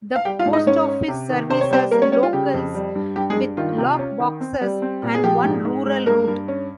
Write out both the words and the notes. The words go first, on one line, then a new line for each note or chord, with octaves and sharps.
The post office services locals with lock boxes and one rural route.
F5
G3 G4 G5
F4 F5
G#2
D#4 D#5
G#2 C#4 C#5
C#4
C3
D#3
C3 C5
C#5
G3 C4 C5
G3 A#3 A#4
C#4 C#5
G3 C#4 C#5
F4
C#3 G4
F2
G3
G2
G2 G4
G#3 G#4
G2
D#3 F4
C3
C#4
D#3
C4
G3
C4
A#2
G#4
F3 G4
G#2
G#2
G#3
G2 A#3 A#4
G2
C#4